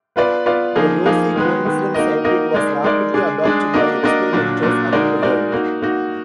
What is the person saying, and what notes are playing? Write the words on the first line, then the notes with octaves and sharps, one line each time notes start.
The Rossi coincidence circuit was rapidly adopted by experimenters around the world.
B3 F4 B4 D5
B3 F4 B4 D5
F3 A#3 D#4 G#4
F3 A#3 D#4 G#4
D#3 G#3 B3
D#3 G#3 B3
A#3 D#4 F#4 A#4 D#5
A#3 D#4 F#4 A#4 D#5
G#3 D#4 A#4 D5
G#3 D#4 A#4 D5
G#3 D4 G#4
G#3 D4 G#4
A#3 D4 F#4 A#4 D#5
A#3 D4 F#4 A#4 D#5
A#2 F#3 D4
A#2 F#3 D4
G#3 D#4 F#4 A#4 D5
G#3 D#4 F#4 A#4 D5
A#3 D#4 F#4
A#3 D#4 F#4